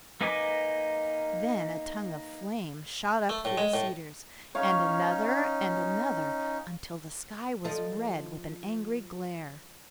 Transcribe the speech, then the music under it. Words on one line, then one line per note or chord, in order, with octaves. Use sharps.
Then a tongue of flame shot up through the cedars, and another and another until the sky was red with an angry glare.
A#3 D#4 B4 G#5 D6
A3
A2
G#3
A2
C#4 D#4 C#5 F5
F3 A4 D#5